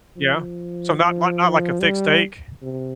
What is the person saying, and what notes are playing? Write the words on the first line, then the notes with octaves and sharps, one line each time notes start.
Yeah. So not not not like a thick steak?
F3
F3
G3
C3